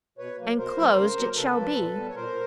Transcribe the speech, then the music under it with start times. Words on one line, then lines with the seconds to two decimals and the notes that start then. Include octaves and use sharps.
And closed it shall be.
0.18 B2 B4 C#5
0.38 F#3 A#3
0.58 B2 A#4 C5
0.77 F#3 A#3
0.97 C#3
1.17 F#3 A#3
1.36 C#3 A4 B4
1.56 F#3 A#3
1.76 A#2
1.96 G3 B3
2.09 C#5
2.15 A#2 A#4 C5